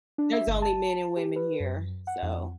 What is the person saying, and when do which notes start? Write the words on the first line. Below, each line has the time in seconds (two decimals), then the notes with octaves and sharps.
There's only men and women here. So
0.18 D4
0.32 E5
0.47 G1
0.62 A5
1.17 G4
1.36 B4
1.60 F#2
2.07 F#5
2.22 F2